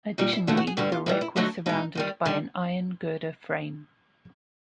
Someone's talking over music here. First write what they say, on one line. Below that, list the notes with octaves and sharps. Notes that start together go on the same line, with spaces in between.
Additionally the wreck was surrounded by an iron girder frame.
A#2 G3 D#4
E4
D#2 D3 F#3 A3 F4
F#4
G#4
G2 D3 G3 F#4
F4
G#2 E3 G3 E4
E4
D2 D3 F#3 A3 D#4
B2 G#3 D#4
F#2 D#3 G3
D3 G3 D4